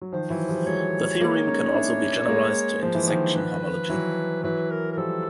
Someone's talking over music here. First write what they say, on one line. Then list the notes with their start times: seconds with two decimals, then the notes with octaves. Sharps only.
The theorem can also be generalized to intersection homology.
0.01 F#3
0.12 D#3 F3 C5
0.30 E3 F#3
0.49 F3 G3
0.66 F#3 G#3 C#5
1.20 G#3 A#3
1.47 C#4 D#4
1.74 D4 E4
2.28 G#3 A#3
2.82 F3 C5
2.95 E3
3.07 D#3 F3
3.36 B4
3.90 E3 F#3
4.43 E3 F#3 B4
4.71 A#4
4.92 A#4
4.97 F3 G3 A4